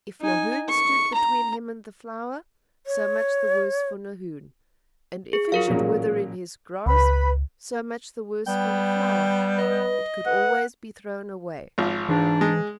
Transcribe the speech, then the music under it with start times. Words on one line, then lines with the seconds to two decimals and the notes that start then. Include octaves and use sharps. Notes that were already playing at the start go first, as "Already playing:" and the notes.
If Nahoon stood between him and the flower, so much the worse for Nahoon, and if it should wither in his grasp, so much the worse for the flower; it could always be thrown away.
0.21 D#4 G#5
0.68 C#6
1.14 A#5
2.87 C#5
5.33 G#4
5.52 F#3 F4 G#4 A#4 F5
5.68 A1 A#2 F#3
6.86 C#2 B4 B5
8.47 G3 B3 G5
9.59 B4 D#5
10.26 B4 F#5
11.78 G#1 F3
12.09 G#2 E3 D4
12.41 G#3